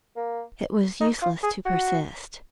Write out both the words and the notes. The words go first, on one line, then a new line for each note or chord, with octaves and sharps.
It was useless to persist.
A#3
D#4
F4
G#4
F#4